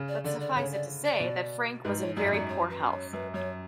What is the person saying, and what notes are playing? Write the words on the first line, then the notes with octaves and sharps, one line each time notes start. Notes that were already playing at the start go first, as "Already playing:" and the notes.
But suffice it to say that Frank was in very poor health.
Already playing: C#3
D5
D3 D5
D5
C#3 C#5
D5
D5
B2
G#2 B4
C#5
F#2 D5
G#2
F#2 D5
C#5
B4
C#5
F#2 B4
F#2 C#5